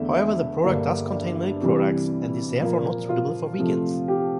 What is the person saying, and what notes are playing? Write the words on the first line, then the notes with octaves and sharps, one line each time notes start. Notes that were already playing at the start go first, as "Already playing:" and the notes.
However, the product does contain milk products and is therefore not suitable for vegans.
Already playing: E2 D3 A3 E5
E5
G2 D3 G3 A#3
D5
C3 E3 G3
A#2 F3 A#3
F4
C3 F3 A3
G4